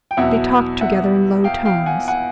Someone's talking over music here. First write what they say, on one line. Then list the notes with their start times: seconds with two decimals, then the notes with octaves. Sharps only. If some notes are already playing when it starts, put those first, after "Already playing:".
They talked together in low tones.
0.11 G5
0.17 E2 B2 F#3 E5 F#5
0.81 E5 F#5
1.44 F5 G5
1.65 F5 G5
1.86 F#5 G#5
2.08 F#5 G#5